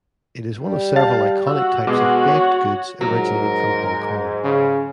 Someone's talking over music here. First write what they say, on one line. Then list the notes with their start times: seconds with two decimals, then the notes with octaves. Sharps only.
It is one of several iconic types of baked goods originating from Hong Kong.
0.64 G3
0.96 F5 A5 A6
1.47 F#4 E6
1.87 B2 G#3 F#4 D6
2.28 C#5
3.01 G#2 F#3 A#4
4.44 C#3